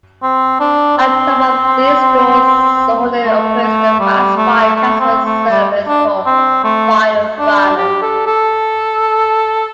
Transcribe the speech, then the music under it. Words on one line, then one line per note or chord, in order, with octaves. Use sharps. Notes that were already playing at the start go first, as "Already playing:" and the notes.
On top of these stores, Sohonet operates a fast file transfer service called FileRunner.
C4
D4
C4
A3
A3
G3
A3
A3
C4
A3
G3
D4
C4
A3
D4
G4
A4
A4